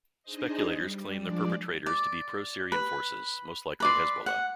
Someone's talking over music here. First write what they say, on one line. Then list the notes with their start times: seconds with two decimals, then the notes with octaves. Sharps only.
Speculators claim the perpetrators to be pro-Syrian forces, most likely Hezbollah.
0.23 D4 D#4 G#4 C5 D#5
0.76 G3
1.16 F3 G#3 D4 D5
1.86 D5
2.72 B4
3.80 B4 D5 C6
4.26 F#5